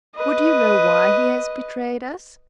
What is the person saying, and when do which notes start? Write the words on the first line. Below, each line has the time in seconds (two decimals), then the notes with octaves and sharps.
Would you know why he has betrayed us?
0.16 B4 D#5